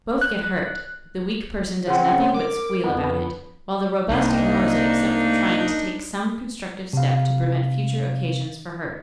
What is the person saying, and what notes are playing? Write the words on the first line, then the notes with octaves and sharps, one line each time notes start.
Both get hurt, but the weak person does nothing but squeal about it, while the robust ignores it except for trying to take some constructive step to prevent future occasions for hurt.
F#6
C#3 C4 F#5
A#4 D6
F2 B3
C2 A#3 D4 D#4
C3 F5